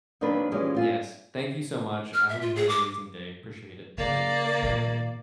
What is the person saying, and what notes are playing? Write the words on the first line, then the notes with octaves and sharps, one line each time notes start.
Yes. Thank you so much. I hope you have an amazing day. Appreciate it, uh, you t sharing with me.
D#2 D#3 F#3 C4 D4 B4
E3 F3 G3 G#3 C#4
C4 F4 G#5
F6
E5
F4
G#4
D6
C#3 A#3 D5
A#2 D#3